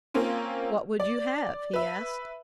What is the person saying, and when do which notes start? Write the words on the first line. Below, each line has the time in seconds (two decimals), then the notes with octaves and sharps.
"What would you have?" he asked.
0.14 A#3 C4 C#4 F4
1.00 D5
1.73 B4 E5